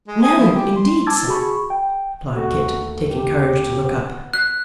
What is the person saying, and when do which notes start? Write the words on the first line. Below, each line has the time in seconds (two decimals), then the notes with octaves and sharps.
'No indeed, sir,' replied Kit, taking courage to look up.
0.08 G#3
0.22 G#5 D#6
0.38 F3 E4 F4
0.54 G4
0.76 C6
1.07 A5 D6 E6 G#6 A6
1.27 F#4 G#4 B5 C#6
1.70 G5
2.36 D#2 A3 F#4
3.11 G4
3.84 B4 F#5
4.33 F#6 B6 C7